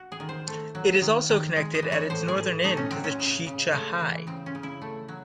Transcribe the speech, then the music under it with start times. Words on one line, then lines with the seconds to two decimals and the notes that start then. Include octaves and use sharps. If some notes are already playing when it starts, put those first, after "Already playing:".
It is also connected at its northern end to the Shichahai.
Already playing: F#4
0.12 G#4
0.20 D#3
0.29 C5
0.47 A3
0.75 F#3
1.02 D#3
1.29 D#3
1.57 G#3
1.75 D#5
1.83 E3
1.92 C#5
2.10 A2 C5
2.28 G#4
2.37 A2
2.64 A3 D#4
2.77 C#4
2.91 F#3 C4
3.04 C#4
3.19 C#3
3.47 C#3
3.73 G#3 A3
4.00 E3
4.27 C#3 C4
4.46 C#4
4.55 C#3
4.63 E4
4.82 A3
5.09 F#3